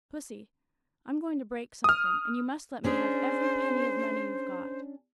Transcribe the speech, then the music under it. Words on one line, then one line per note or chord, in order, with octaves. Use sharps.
Pussy, I'm going to break something, and you must let me have every penny of money you've got.
D#6 F6
C#4 D4 G#4 C5